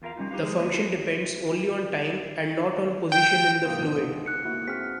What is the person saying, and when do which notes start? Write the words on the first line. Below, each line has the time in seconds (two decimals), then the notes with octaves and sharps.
The function depends only on time and not on position in the fluid.
0.02 E2 F4 A#4 F5 A#5
0.16 G3 C#4 D#4 F4
0.31 D#4 G4 B4 F5
0.43 F3 G#3 G#4
0.59 A#3 B4 D#5
0.72 F#3 D4 E4 G#4 A#4
3.12 G5
3.65 G#2 C3 A#3 C5 D#6
3.80 C#2 G#2 B2
4.26 F#6 C#7
4.45 A#3 E4 F#4
4.68 C4 F#4 G#4 F6 B6